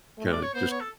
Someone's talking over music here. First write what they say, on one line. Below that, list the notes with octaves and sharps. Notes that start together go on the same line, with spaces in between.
kinda just
A3
D5
C#5
B3 C5
C#5
A4